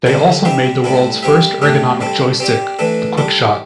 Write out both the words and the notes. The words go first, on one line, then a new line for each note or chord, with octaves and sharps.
They also made the world's first ergonomic joystick, the QuickShot.
D3 G3 C4 A4 C5
G3 C4 G4 C5 E5
A2 G3 C4 E4 A4
G3 C4 G4 E5
A2 A3 D4 G4
G3 C4 A4
C4 G4 D5
E3 A3 D4 A4
G3 D4 A4